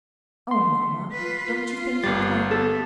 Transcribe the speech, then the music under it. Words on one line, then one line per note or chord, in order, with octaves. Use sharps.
"Oh, mamma, don't you think he'll come?"
A3 C6
F4 B4
F4
G1 G3 A6
B3 A4